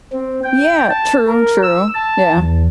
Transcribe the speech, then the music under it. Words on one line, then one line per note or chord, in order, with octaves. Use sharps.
Yeah, true, true. Yeah.
C4
G5
A5
A#4
E6
A5
E2